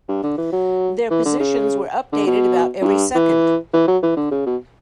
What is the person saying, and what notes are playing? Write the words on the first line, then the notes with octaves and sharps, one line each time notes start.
Their positions were updated about every second.
G2
D3
E3
F#3
E3
D3
C#3
D3
B2
F#2
G2
E3
E3
F#3
E3
D3
C#3
B2